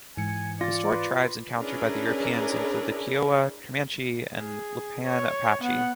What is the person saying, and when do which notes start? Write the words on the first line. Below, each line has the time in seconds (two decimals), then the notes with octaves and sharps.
Historic tribes encountered by Europeans included the Kiowa, Comanche, and Lipan Apache.
0.17 G#2 E3 G#5 C#7
0.61 F4 D5 A6 A#6
0.92 B4 C6
1.59 C#4 D4 E4 G#4 A#4 B4
4.35 G#4
5.04 C#5
5.61 B3 F#5